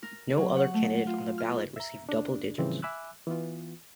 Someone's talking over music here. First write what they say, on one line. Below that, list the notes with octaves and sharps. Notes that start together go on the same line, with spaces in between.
No other candidate on the ballot received double digits.
A#4
F#3
F#5
A3
F4
F6
E5 A#5
D4
A2 C#3 E3 F3 G3 C4
E5 G#5 B5 D6 E6 F#6
E3 B3 F4